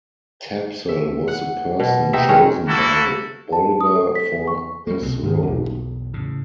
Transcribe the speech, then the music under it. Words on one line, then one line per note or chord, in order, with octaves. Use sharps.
Tapsell was the person chosen by Bolger for this role.
E5
F#5
B2
C3 D#4 E5
D#3 G#3 C#4
A#3 E4 F#4 A4
A5
D#6
A4
B6
C#6
G3 A#3
C2 B2 C4
G#2 D#3
B1 E2
A2 C#3